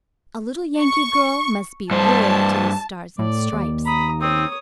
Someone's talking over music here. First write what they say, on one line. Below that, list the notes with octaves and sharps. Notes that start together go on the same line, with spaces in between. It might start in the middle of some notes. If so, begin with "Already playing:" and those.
A little Yankee girl must be loyal to the Stars and Stripes.
C#6
G2 C5 A5
A2 D5
D#2
A#5 B5 D#6
C4 C#5 D#6